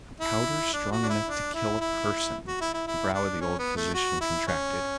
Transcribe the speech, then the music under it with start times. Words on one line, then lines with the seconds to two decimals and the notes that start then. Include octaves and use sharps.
"A powder strong enough to kill a person?" The brow of the old physician contracted.
0.20 E4
0.73 D4
0.92 F#4
1.03 D4
1.09 E4
1.27 D4
1.54 E4
1.81 E4
2.48 F#4
2.61 E4
2.74 E4
2.87 E4
3.14 D4
3.41 C#4
3.59 B3
3.77 A3
3.95 F#4
4.20 E4
4.47 C#4